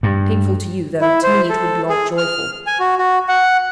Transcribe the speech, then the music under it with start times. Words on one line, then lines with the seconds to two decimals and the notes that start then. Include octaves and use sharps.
"Painful to you, though to me it would be all joyful."
0.03 G2
1.01 E4
1.23 C5
1.49 A4
1.89 G#4
2.18 F6
2.67 G#5
2.80 F#4
2.98 F#4
3.29 F#5